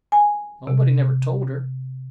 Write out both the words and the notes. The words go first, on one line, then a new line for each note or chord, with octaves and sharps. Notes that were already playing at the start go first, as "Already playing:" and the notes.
"Nobody never told her."
G#5
C3